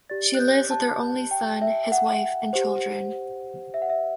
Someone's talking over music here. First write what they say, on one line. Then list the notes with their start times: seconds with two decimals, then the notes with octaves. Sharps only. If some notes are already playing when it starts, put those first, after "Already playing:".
She lives with her only son, his wife and children.
0.10 G4 D5 A6
0.35 F#6
0.40 G6
0.71 A5
1.31 G5
1.62 E5
1.92 F#5
2.53 G4 C5
3.74 E5
3.82 F#5
3.90 E5